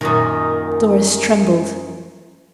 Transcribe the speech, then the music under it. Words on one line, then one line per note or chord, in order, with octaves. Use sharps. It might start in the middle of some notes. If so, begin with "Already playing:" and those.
Doris trembled.
F#2 A#2 D#3